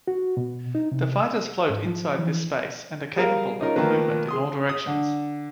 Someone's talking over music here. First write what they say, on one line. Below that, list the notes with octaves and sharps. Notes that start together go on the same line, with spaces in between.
The fighters float inside this space and are capable of movement in all directions.
F#4
B2
D#4
C3
E6
G#2
F3
E3
G3 G#4 A#4 F5
C#4 D#4 F4 A#4
D#3 F3 A3 A#3 B4
G#4 C6 D#6
D#6
D3